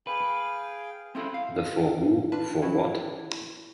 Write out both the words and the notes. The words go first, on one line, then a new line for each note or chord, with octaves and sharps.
The For Who, For What?
G#4 B4 F5 G5
C4 C#4 E4 F4 A4 C5
F5
D4 F4 B4 A5
F3 F#3 C#4 E4